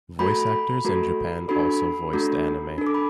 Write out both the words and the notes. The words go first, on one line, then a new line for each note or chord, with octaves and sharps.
Voice actors in Japan also voiced anime.
A3 F#4 A4 B5
A3 F#4 A4
D4 F#4 A4 B5
A3 D4 F#4 A4
D4 A4
D6
B5